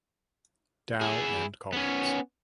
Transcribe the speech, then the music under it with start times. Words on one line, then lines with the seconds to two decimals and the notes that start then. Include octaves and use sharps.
Dow and colleagues.
1.01 E4 G#4
1.73 B3 C#4